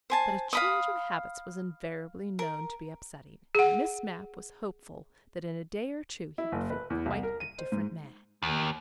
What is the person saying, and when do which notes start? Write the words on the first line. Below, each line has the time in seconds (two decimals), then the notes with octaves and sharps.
But a change of habits was invariably known to be upsetting, and Miss Mapp was hopeful that in a day or two he would feel quite a different man.
0.10 C5 G#5 A5
0.53 F5 B5 D#6
2.39 A#4
3.55 G#4 F#5
6.38 E4
6.52 F#1
6.70 B4
6.90 E2
7.06 C2
7.23 A#4
7.40 D#7
7.59 C5
7.72 G#2
8.43 D#2